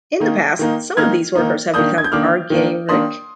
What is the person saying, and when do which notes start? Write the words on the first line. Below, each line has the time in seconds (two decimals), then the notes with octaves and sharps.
In the past, some of these workers have become argyric.
0.20 D#3 A#3 D#4
0.59 D#3 A#3 D#4
0.97 D#3 A#3 D#4 F6 G#6
1.35 D#3 A#3 D#4
1.74 D#3 A#3 D4 D#6 G6
1.98 G#6
2.04 G6
2.12 D#3 A#3 D4 D6 F6
2.50 D#3 A#3 D4
2.89 D#3 A#3 D4 C6 D#6